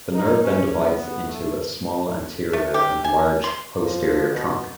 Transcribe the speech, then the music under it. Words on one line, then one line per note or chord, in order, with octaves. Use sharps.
The nerve then divides into a small anterior and large posterior trunk.
D#4
C#4
B3
A3
A3
G4
G#5
C6
F3
B2